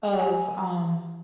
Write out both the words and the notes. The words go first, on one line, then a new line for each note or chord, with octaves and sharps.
of, um
G4 G#5